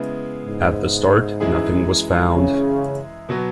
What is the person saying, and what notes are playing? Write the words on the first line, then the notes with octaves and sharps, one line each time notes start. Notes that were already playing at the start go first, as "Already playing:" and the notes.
At the start nothing was found.
Already playing: C#3 G#3 B3 E4
G#2
F#2 E3 G#3 E4 G#4
C#3
B2 F#3 B3